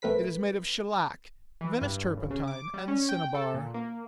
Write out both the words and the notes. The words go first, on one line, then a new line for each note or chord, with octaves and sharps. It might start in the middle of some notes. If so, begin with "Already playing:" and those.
It is made of shellac, Venice turpentine and cinnabar.
A#1 A3 C4 A#4 B4 B6
E3
G2
A1
C#3
D6
G3
C#4
G5
A4
A#2
A#3